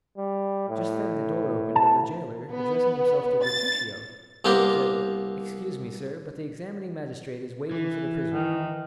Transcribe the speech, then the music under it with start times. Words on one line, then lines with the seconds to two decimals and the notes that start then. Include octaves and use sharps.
Just then the door opened, and the jailer, addressing himself to Bertuccio, said,--"Excuse me, sir, but the examining magistrate is waiting for the prisoner."
0.18 G3
0.69 A2
1.76 A5
2.51 B3
3.43 A6
4.45 C2 A#3 B3 G4 A#4 C6
7.71 E3
8.32 D#3